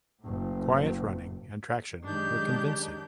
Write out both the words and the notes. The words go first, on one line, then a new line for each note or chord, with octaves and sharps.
Quiet running and traction were convincing.
F#1 A2
F#2 D#3 G#3 D4 D#4 G4 G6